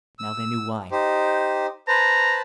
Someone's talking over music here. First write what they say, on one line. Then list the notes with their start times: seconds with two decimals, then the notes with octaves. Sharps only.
Now they knew why.
0.19 E6
0.91 D#4 G4 C5
1.88 B4 C5 A5 A#5